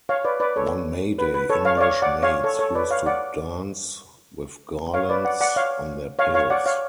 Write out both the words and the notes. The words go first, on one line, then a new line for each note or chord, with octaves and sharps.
On May Day, English maids used to dance with garlands on their pails.
C#5 F5
B4 D5
B4 D5
A4 C#5
B4
B4
A4 C#5
C#5 F5
D5
C#5 F5
D5 F#5
C#5 F5
A4 C#5
A4 C#5
B4 D5
C#5 F5
D5 F#5
C#5 F5
B4 D5
D5 F#5
D5 F#5
C#5 F5
C#5 F5
C#5 F5
D5 F#5
C#5 F5